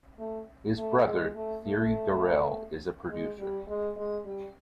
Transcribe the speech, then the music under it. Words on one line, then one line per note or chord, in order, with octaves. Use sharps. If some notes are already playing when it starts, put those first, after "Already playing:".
His brother, Thierry Garrel, is a producer.
A3
A3
G#3
A3
A3
G#3
G3
G#3
G#3
G3